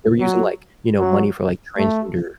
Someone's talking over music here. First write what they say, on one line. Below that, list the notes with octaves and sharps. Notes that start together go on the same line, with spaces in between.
they were using, like, you know, money for, like, transgender
F#3
F#3
A3